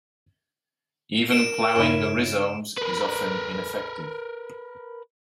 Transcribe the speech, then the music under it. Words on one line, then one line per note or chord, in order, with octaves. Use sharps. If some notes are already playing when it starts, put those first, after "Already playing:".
Even ploughing the rhizomes is often ineffective.
A#4 D7 E7
G2 C#3 C#4 D#4 E4
A#4 B4